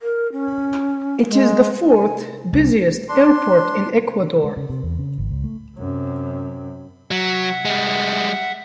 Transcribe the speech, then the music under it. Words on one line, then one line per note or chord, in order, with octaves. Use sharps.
It is the fourth-busiest airport in Ecuador.
A#4
C#4
G#3
G#5
C2
D4 C6
G#3
C#3
C3
E2
C#3
G#1
C#2
A3
F#2 C3
F#3 E5 F#5
G3 G#3